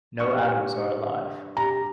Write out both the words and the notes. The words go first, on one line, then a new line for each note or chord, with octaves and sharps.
No atoms are alive.
G2 C#6
G4 A#5